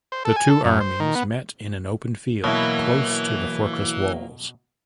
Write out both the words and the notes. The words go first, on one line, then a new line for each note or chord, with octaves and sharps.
The two armies met in an open field close to the fortress walls.
C5
A4
G#5
A4
F#2
C5
D#3
B3
B2 E3 F#3 A#3 E4